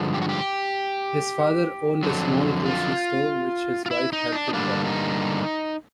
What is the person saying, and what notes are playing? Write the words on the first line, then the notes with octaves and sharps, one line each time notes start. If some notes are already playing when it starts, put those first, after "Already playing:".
His father owned a small grocery store, which his wife helped him run.
Already playing: G2 D3 F3 G#3
G4
F#4
G4
F2 D3 F#3
F4
F4
E4
D#4
D4
D#4
G2 D3 G3 A#3 D4
D#4